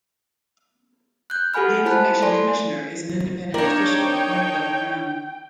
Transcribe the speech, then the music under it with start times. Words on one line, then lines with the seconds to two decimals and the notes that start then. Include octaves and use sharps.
The Information Commissioner is an independent official appointed by the Crown.
1.30 F#6 G6
1.54 G4 A4 F#5 G#5 B5 F6
1.85 E4 F4 C5 A5 B5 F#6
2.22 A4 D5 G#5 C6
3.54 A#3 D4 D#4 A#4 C#5 D5 G5